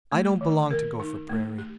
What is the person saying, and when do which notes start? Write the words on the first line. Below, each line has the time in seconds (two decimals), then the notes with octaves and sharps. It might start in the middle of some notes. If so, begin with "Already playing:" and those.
I don't belong to Gopher Prairie.
0.12 A3
0.41 D#3
0.71 A#4
1.00 D#4
1.29 A3
1.58 G4